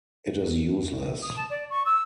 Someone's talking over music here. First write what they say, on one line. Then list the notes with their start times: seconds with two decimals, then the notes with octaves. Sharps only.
It is useless.
1.22 D#6
1.36 A5
1.49 D5
1.69 C#6
1.85 E6